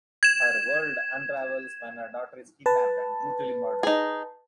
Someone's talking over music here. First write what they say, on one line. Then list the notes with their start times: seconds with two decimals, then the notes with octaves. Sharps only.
Her world unravels when her daughter is kidnapped and brutally murdered.
0.23 G#6 E7
2.66 B4 A5
3.83 D#4 G#4